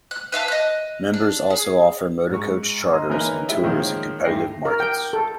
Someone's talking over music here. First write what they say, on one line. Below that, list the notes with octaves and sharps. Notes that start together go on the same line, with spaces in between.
Members also offer motorcoach charters and tours in competitive markets.
F#6
B4 E5 F5 A5
D#5 F#6
D4
G#4
G#2 C#6
D#5 A#5 C6
E3 A#3 C#4 D#4 A#4 B4
G#3 E4 G4 E5
D#3 F3 G#3 A#3 C#4
G2 A3 G5 A#6 C7
A#4
G5
A4